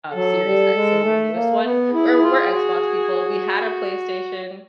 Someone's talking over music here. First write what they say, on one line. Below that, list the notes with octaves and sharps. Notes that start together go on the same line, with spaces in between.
um, Series X, so the newest one. We're we're Xbox people. We had a PlayStation,
F#3 A4
G3
G#3
A3
A#3
B3
E4 G#4
E4
F4
F#4